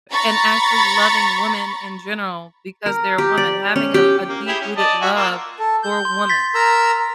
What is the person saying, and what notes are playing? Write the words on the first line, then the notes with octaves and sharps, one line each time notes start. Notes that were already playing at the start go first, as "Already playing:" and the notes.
and actually loving women in general because they're women, having a a deep rooted love for woman,
A#5 B5 C#6 A6
A#4
G4
D5
C#4
G4
A#3
E4 G4 G#4
C#4
D5 D#5 A5
F#4 E5 G#5
A#3 F4 E6
A4
G6
C6
A6 B6
A#4 A#5 E6